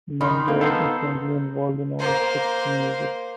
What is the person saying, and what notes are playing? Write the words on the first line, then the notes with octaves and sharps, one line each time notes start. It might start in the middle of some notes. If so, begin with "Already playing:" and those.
Monroig is currently involved in all of the aspects of music.
D#3 B5 C6
A#3 C4
B3 D#4 A4 C5
A#3 C5